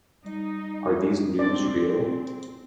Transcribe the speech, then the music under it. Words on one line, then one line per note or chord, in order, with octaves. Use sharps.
Are these news real?
G3 D#4
C4 D5